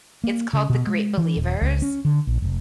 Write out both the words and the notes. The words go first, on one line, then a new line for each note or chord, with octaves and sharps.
it's called The Great Believers
A#3
C#3
B2
G#3
E3
D#1
C#2
C#4
D3
A#1
F1